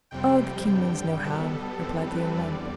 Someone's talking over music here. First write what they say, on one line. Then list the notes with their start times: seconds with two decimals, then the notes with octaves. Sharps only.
"Oh! the king means no harm," replied the young man.
0.11 F2 C3 G3 C4 G5
0.67 G2 D3 G3
0.96 G5
1.23 B2 G3 B3 A4
1.51 A4
1.79 F2 E3 G3 C4
2.07 B4
2.35 E2 D3 G3 D5